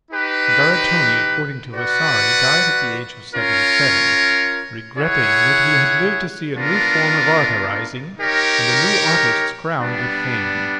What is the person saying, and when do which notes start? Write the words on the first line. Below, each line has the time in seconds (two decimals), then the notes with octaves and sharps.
Margaritone, according to Vasari, died at the age of seventy-seven, "regretting that he had lived to see a new form of art arising and the new artists crowned with fame."
0.11 D#4 G4 B4
1.73 F#4 B4 D5 F#5
3.35 C#4 F4 A#4 C#5
4.96 E4 G#4 C#5 F#5
6.57 B3 D4 F4 A#4
8.19 D#4 G4 A#4 C#5
9.81 G3 B3 D4